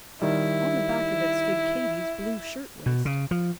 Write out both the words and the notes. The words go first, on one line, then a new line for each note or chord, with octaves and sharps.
On the back of it stood Katy's blue shirtwaist.
D#3 G3 E4
B2
C#3
F3